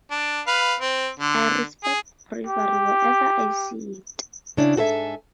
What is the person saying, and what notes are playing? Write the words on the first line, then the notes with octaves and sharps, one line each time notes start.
I respect bravery wherever I see it.
D4
B4 F5
C4
D3
G#4
G4
C#3 D4 E4
G#2 F#4 A4 C5 E5 G#5